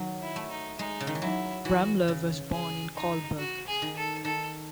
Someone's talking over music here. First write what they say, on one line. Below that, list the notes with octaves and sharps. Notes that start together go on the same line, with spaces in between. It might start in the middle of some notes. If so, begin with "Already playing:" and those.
Ramler was born in Kolberg.
Already playing: D#3 F#3
E4
A3
D#4
G#3 D#4
C#3
D#3
E3
F#3 E4
E3 F#4
C#3
G#4
D#4
F#4
G#4
D#3
A4
D#3 A4